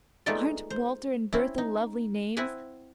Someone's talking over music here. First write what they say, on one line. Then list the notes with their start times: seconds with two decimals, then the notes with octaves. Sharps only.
Aren't Walter and Bertha lovely names?
0.26 G#3 A3 B3 D#4 F4 D5
0.70 C5
1.33 C4 C#4 E4
1.58 D#4
2.37 C4 E4 E5 F#5 G#5